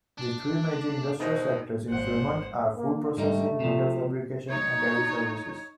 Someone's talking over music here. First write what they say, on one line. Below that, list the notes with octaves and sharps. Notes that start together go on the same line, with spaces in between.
The three major industrial sectors in Fremont are food processing, metal fabrication, and teleservices.
D4
E1 B2 D#4 C5 D#5
G#1 F3 C5 F#5
A#3
G#2 G3 A3 D#4
C3 F3
D#4 C#5